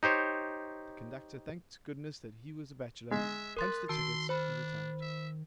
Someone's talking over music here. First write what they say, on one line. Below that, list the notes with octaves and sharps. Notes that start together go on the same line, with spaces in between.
The conductor thanked goodness that he was a bachelor, punched the tickets, and retired.
D#4 G4 C5 C#5
G#3 E5
A#4 B4 C6 A6
D#3 F#4 A5 C6 E6
D4 C5 B5
E5